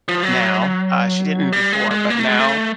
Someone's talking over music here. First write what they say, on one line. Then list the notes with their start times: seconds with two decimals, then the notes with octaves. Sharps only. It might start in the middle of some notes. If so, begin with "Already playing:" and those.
now- uh, she didn't before- but now,
0.08 F3
0.23 F#3
1.52 G3
1.73 G#3
1.91 G#3
2.10 A#3
2.19 A3
2.28 G#3
2.39 A3